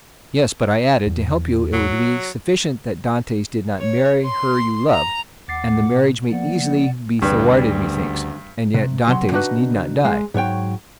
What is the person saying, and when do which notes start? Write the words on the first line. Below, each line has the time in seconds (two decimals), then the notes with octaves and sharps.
"Yes; but I added, to help you it would be sufficient that Dantes did not marry her you love; and the marriage may easily be thwarted, methinks, and yet Dantes need not die."
1.07 E2
1.73 F#3
3.79 C#5
4.25 C6
4.92 A#5
5.48 D#2 F#5 D6 A6 C7
5.81 A#2
6.31 F3 A#3 B3 D5 F#5
7.22 D2 G2 C#3 G3 B4
8.74 C3
9.08 C2 F#3 C6
9.32 C#3 D4 D#4 F#4 B4
10.05 G#3
10.34 G#2 F#3 C#5 G5